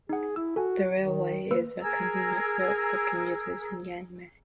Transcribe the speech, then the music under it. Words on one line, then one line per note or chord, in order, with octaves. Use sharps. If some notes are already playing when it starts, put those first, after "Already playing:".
The railway is a convenient route for commuters in Yangmei.
D#4 G#4 F#5
E4 E6
F#4 A4 G#5
D#3
A#3 B4 E6
G#4 A#4 E6